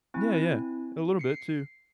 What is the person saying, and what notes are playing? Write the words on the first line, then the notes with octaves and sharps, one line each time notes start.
Yeah, yeah. A little bit too.
C4 E4 G#5
C7 C#7